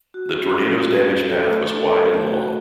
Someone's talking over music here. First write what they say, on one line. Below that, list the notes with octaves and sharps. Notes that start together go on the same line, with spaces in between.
The tornado's damage path was wide and long.
F#4
C#4
F#4
F#4
C#4
A4
A3
A4
A4
A3
F#4